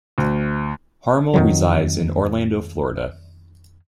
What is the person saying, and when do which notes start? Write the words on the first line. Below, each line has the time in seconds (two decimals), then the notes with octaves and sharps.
Harmel resides in Orlando, Florida.
0.18 D2
1.34 F2 D#3 F#3